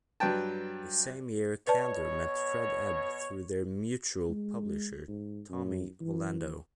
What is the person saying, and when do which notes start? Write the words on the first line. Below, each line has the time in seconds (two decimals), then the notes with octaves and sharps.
The same year, Kander met Fred Ebb through their mutual publisher, Tommy Volando.
0.20 G2 F#3 B4 G5 A5
1.67 B2 B4 C#5 D5 A5
4.29 G#3
5.08 G#2
5.50 F#2
6.01 E3